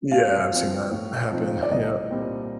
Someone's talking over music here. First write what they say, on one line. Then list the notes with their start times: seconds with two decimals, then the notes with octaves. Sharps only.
Yeah, I've seen that happen. Yeah.
0.11 A2 F5
0.51 F3 C4
0.91 A2
1.31 F3 C4 D#4
1.63 D5
1.71 C2 D#5
2.11 A#2 G3 C4